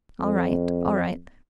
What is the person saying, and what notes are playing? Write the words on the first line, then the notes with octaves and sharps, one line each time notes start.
"All right, all right...."
F2